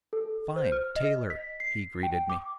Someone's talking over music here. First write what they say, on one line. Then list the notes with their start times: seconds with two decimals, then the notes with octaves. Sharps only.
"Fine, Taylor!" he greeted me.
0.13 A4
0.56 C5
0.72 F6
0.96 D#5
1.30 B6
1.60 C7
2.03 G5
2.30 D6